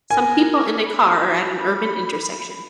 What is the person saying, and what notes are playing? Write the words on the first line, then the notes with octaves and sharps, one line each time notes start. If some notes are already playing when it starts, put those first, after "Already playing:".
Some people and a car are at an urban intersection.
A#4 G#5
B5